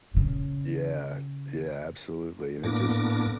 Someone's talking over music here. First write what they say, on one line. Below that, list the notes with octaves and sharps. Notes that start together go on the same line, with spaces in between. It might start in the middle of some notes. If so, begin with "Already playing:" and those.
Yeah. Yeah, absolutely, and it just
A#2 C#3
A2 A#3 B3 D4 D6 A#6